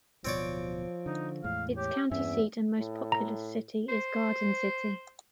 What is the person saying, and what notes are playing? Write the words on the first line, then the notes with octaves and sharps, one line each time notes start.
Its county seat and most populous city is Garden City.
D1 B2 F3 C4 C#5 D5
D3 D#4
E2 A2 G#3 F5
G4 C#5
E2 G2 C4 C#4 E5
A2
A#5
C5